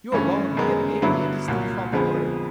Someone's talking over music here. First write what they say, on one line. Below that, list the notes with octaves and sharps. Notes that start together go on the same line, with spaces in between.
"You are wrong in getting angry; it is the proper word."
G2 E3 A3 C#4
F#2 D#3 G#3 B3
G2 D3 F#3 B3 E4
C2 A#2 F#3
F2 D3 F3 G#3 B3